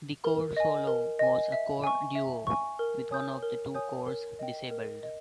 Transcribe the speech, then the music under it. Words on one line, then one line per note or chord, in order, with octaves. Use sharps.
The Core Solo was a Core Duo with one of the two cores disabled.
A#4
D#5 G#5
A#4
D#5 G#5
E5
G#5 C#6
E5
G#5 C#6
A#4
C#5 G#5 D#6 G6
A#4
C#5 G#5 D#6 G6
A#4
D#5 G5
A#4
D#5